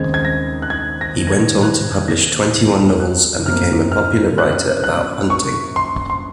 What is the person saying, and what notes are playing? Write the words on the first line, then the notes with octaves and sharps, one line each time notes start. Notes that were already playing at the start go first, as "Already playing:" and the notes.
He went on to publish twenty-one novels and became a popular writer about hunting.
Already playing: D#2 C#3 G#3 C4 G#6
G#6
A#6
F#6
G#6
A#6
A#6
G#6
F#6
A#6
F#6
F#2 F3 A#3 F6
F6
F#6
F#6
C#6
C6
C6